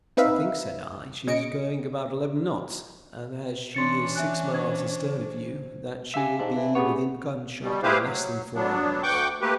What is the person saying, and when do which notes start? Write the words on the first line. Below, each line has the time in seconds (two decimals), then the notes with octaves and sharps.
"I think," said I, "she is going about eleven knots; and, as she is six miles astern of you, that she will be within gunshot in less than four hours."
0.17 C4 D#4 B4 E5 F5
1.27 C#3 D#5 C#7 D7
3.74 E3 C#4 D4 C6 A6 C#7
4.16 E5 G#5 F#6
4.51 C5 G#6
6.14 G4 E5 F5 G#5 B6
6.40 G#2 D4
6.55 E3
6.75 B3 C#4 G4 G#4 C#5
7.62 B2 G3
7.83 E4 G4 G#4 B4 C5 F5
8.03 F#3
8.55 F#3 B3 D4
9.03 D2 F#5 G5 C#6 D6 G6
9.41 A3 A#3 G4 B4